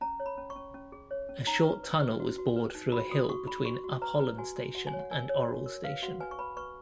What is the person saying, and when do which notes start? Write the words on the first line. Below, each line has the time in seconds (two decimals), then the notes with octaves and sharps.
A short tunnel was bored through a hill between Upholland station and Orrell station.
0.01 C#4 A#5
0.20 C#5
0.26 B5
0.38 C#4
0.50 C#6
0.56 C#4
0.74 C#4
0.92 G#4
1.11 C#5
1.29 C#4
1.47 D#4 A#5
1.65 B4
1.83 B4
2.02 B4
2.20 F#4
2.38 F#4
2.56 B4
2.75 D#4
2.92 F#4 B5
3.11 F#4 D#6
3.29 F#4 C#6
3.47 F#4 B5
3.65 F#4 C#6
3.84 F#4
4.02 B4 A#5
4.20 B4
4.38 F#4 G#5
4.57 F#4
4.75 F#4 F#5
4.87 G#5
4.93 C#5
4.99 F#5
5.11 A#4 G#5
5.29 C#5
5.48 F#4
5.66 A#4
5.84 B4 F5
6.02 F#4 F#5
6.20 B4 G#5
6.31 C#6
6.39 B4 B5
6.57 B4 C#6